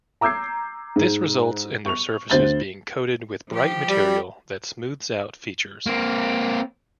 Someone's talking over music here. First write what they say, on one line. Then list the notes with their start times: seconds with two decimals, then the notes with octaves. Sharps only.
This results in their surfaces being coated with bright material that smooths out features.
0.21 A#5 D6 E6 G6 G#6 C7
0.96 G#2
1.86 C#6 F7
2.30 D2 C5 A6 F#7 G7
3.49 F3 G4
3.89 G3
5.87 A#3 C4